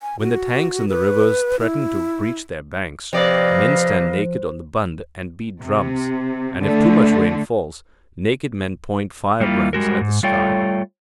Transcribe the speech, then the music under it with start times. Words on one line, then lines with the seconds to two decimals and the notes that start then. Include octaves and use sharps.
When the tanks and rivers threaten to breach their banks, men stand naked on the bund, and beat drums; and, if too much rain falls, naked men point firebrands at the sky.
0.02 G#5
0.20 F#4
0.88 B4
1.60 E4
3.13 C3 F3 B4 C5 D5 D#5 F5
5.61 C3
6.59 D3 A3
9.40 F#3 G3 A#3 E4 F4
9.73 G3 G#3 F#4 A#4
10.01 G#2
10.23 G3 A3 F4 A4 C#5 G5